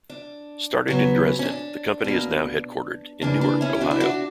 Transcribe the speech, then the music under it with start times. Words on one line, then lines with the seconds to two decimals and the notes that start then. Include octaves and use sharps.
Started in Dresden, the company is now headquartered in Newark, Ohio.
0.10 D4
0.88 C#3 F#3 B3
1.39 C#4
1.46 D4
2.04 B2 A#3
3.22 C#3 E3 A#3 D4
3.41 D4
3.61 C#4 E4
3.74 G4
3.81 D4 F#4
3.91 E4
4.00 D4 F#4